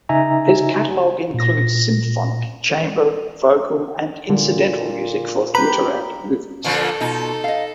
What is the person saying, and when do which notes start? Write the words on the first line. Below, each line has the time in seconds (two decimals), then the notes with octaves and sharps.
His catalog includes symphonic, chamber, vocal and incidental music for theater and movies.
0.09 C#3 D#4 E5 G#5 A#5
1.34 A#2 A#6
4.29 A#2 D3
5.55 G4 B4 A#5 B5
6.64 A#2 D3 F3 A4
7.01 B2 D#4 F4
7.44 D#5 F5